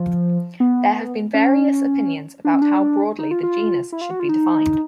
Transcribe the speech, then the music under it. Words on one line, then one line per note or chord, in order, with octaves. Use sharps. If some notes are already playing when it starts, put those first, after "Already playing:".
There have been various opinions about how broadly the genus should be defined.
Already playing: F3
B3
C#4
D4
C#4
D4
D#4
F4
F4
E4
F4
F#4
F4
D#4